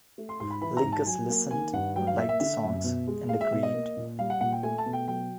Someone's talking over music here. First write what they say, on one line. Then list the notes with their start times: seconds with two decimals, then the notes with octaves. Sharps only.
Linkous listened, liked the songs, and agreed.
0.18 A3
0.29 C6
0.40 G#2 C6
0.51 B5
0.62 E3 B5
0.77 A#5
0.84 G#2
0.92 A5
1.06 F#3 G#5
1.30 A#3
1.51 D#3 G#5
1.73 G2 F#5
1.96 F#3 G5
2.07 F5
2.18 A#3 E5
2.29 E5
2.40 D3 E5
2.63 F#2
2.84 B2
3.07 G#3
3.29 G#3 F5
3.41 E5
3.52 B2 E5
3.63 D#5
3.74 A#3
3.97 A#2
4.19 G3 F5
4.30 F#5
4.41 A#2 F#5
4.52 G5
4.63 A3 G#5
4.78 A5
4.86 B2
4.93 G5
5.08 F#3 G5